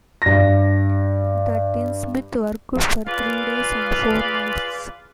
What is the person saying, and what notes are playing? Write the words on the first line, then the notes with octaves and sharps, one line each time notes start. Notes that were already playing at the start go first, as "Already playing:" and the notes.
The Tinsmiths worked for three days and four nights.
G2 A#6
F4 G#4 B4 D5 F5